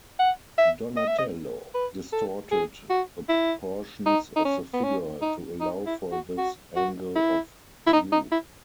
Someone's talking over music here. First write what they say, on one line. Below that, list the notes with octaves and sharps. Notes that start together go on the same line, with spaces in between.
Donatello distorted the proportions of the figure to allow for this angle of view.
F#5
E5
D#5
E5
D#5
B4
A4
G#4
F#4
E4
D#4
D#4
C#4
B3
C#4
D#4
D#4
E4
F#4
F#4
F#4
E4
E4
D#4
D#4
E4